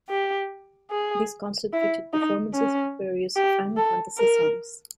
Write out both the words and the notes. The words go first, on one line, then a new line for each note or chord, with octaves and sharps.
This concert featured performances of various "Final Fantasy" songs.
G4
G#4
E4
D#4
C#4
G4
A4
A#4